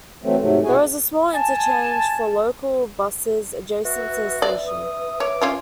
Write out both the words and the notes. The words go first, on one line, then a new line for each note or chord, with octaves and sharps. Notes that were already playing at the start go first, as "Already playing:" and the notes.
There is a small interchange for local buses adjacent to the station.
E3 F#3 A3 C4
G#2 C3 F#3 A3
B2 E4 F#4 G#4 G#5
G#5 A5
F#4 B4 E5
D5
D#6
C#5 D6
C#4 F4 C#5